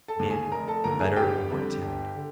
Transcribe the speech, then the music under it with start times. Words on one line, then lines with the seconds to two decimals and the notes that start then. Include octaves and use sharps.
Men were better, or more timid.
0.08 A4 A5
0.19 D#2 D3
0.30 G#4 G#5
0.52 F1 A#4 A#5
0.68 A4 A5
0.84 D#2 D3 A#4 A#5
1.00 G#4 G#5
1.16 G1 G4 G5
1.50 F2 D3 G3
1.82 G1
2.16 D3